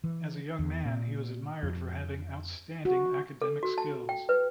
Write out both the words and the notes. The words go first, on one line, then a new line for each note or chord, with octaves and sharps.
As a young man he was admired for having outstanding academic skills.
E3
E2
A#2
F2
F#4
A4
F#4
A5
G5
B4